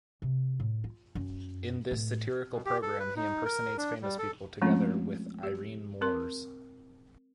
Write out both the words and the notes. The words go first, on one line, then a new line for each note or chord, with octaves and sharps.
In this satirical program, he impersonates famous people, together with Irene Moors.
C3
A2
F4
F#2
A2
B2
G4
A4
B4
D#4
A#4
D4
G3
A4
F3 G#3 A3 C4 C#4 F4
G4
C4 A#4 C6